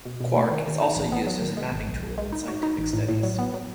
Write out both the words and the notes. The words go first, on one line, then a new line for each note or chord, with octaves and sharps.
QuArK is also used as a mapping tool in scientific studies.
B2
B2
A3
D#3
D#3
D#4
A1
B3
F#3
D#3
G#3
G#1
B1
B1
G#3
D#4
F#4
D#4
A1
A2
A2
F#3
B3
F#3